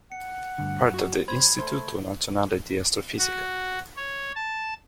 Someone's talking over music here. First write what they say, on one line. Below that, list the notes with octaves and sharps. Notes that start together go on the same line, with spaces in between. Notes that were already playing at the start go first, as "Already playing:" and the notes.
Part of the Istituto Nazionale di Astrofisica.
F#5 C#7
D2 G2 D3
F#2 F#4
G3 C5 B5 G#6
A3 C5
F#4
C#5
A5